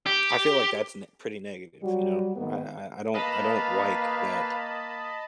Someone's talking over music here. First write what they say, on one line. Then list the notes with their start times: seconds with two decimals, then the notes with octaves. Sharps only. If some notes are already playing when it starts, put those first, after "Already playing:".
I feel like that's n pretty negative, you know? I I I don't I don't like that
0.06 G4
1.82 F#3 G3 F#4
2.35 G#2 D#3 A#3 B3
3.14 A#3 B4 D#5 F5 A5 B5